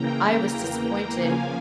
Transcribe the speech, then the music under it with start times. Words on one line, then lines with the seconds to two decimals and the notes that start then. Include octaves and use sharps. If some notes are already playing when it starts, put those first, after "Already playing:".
I was disappointed.
Already playing: C#3 E3 A#3 G5 A#5
0.20 G5 A#5
0.52 E2 E3 A#3
1.15 C#3 F3 A#3 F5 G#5